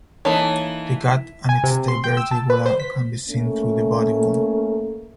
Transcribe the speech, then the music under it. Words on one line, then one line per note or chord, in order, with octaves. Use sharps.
The gut and its diverticula can be seen through the body wall.
E3 A#3 D#4 A4 C#5 A5
G#5
C3
C6
G5
E6
A5
B4
C5
B6
A3 A#3 C#4 A#4